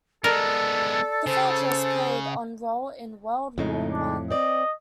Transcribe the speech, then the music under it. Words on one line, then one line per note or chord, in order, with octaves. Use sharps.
The fortress played a role in World War One.
G#3 B3 A4 A#4 D5
C#3 C5
F2 A2 C#3 G#3 D#4
D4
C4 D5 D#5